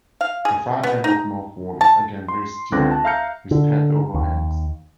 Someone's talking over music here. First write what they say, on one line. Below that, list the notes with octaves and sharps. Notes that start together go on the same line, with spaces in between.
The far end of north wall is again very steep with stepped overhangs.
F5
G#4
B3
D#4
A5
C6
C#2 D3 C4 D6 F#6 A#6
A5
E5 F5 A#5 F6 G6 C#7
D3
D#2